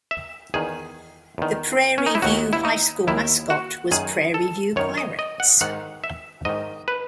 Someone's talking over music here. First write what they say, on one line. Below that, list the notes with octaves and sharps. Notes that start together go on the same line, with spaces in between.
The Prairie View High School mascot was Prairie View Pirates.
E5
E2 D#3 G#4
E2 D#3
C#4
D#4
E4
D#2 D#3 F#4
E4
D#4
D#2 D#3 E4
F#4
F#2 D#3 G#4
A4
F#2 D#3 C#5
D#5
D#5
F#5
G#2 D#3 F#5
E5
G#2 D#3 D#5
B4